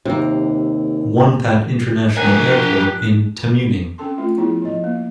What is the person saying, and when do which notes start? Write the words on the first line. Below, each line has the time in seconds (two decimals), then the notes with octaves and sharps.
Won Pat International Airport in Tamuning.
0.05 D#2 C3 A#3
2.17 F3 D4 G4 A#4 G#5 F#6
3.98 C4 C#4 A4 A5 C6
4.18 A3 C4 F4
4.38 F3 B3 E4 G#4
4.62 F3 D#5
4.84 A#3